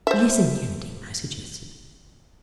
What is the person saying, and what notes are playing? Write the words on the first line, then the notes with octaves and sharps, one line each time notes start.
"Listen, Kennedy!" I suggested.
C5 E5